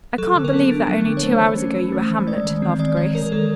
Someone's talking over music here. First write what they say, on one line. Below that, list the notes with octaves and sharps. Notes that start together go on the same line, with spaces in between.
"I can't believe that only two hours ago you were 'Hamlet,'" laughed Grace.
F#3 A4
D3
A#4
B3
D4
F#3
D3
C#5
A3 C5
E3
C#4
E3
A3
E3
G#3 D5
D#3
C4
D#3 D5
G#3 C#5
D#3 A#4
G#3 A4